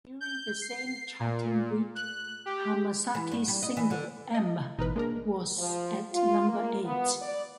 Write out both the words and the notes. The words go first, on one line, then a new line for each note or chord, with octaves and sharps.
During the same charting week, Hamasaki's single "M" was at number eight.
G6
C7
A#2
F#6
G4
E3
G2
G3
D#5
E3
D3
D#5
G#1 B2 E3 D#4 A#4 B4
G#3 A#3 D4 A#4
F3
F4
A#3
B3
D5